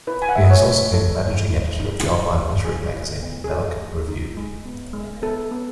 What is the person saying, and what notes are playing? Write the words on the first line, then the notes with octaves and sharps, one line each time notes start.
He has also been the Managing Editor of the online literary magazine "Melic Review".
E4 B4
G#5
F#5
A3 E5
D#5
C#5
A3
E4 A4
G#3
E4
D#4
F#4
A3
E4 G#4
E4
B3
G#4
F#4 A4
A3
D#4
G#3
B3
G#3
B3 A4
B3